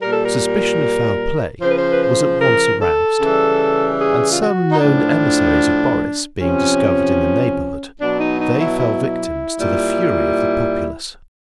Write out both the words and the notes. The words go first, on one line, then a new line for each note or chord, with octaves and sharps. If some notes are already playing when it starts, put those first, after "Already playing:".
Suspicion of foul play was at once aroused, and some known emissaries of Boris being discovered in the neighbourhood, they fell victims to the fury of the populace.
A#2 G3 A#4
A4
A#4
C#3 F3 C5
B4
C5
B4
C5
A#4
A4
C#3 E3 G3
G#4
F4
F#4
D#4
A2 F3 D4
C3 F3 C#4
B2 F#3 D4
D#4
D#4
E4
E4
A#2 G3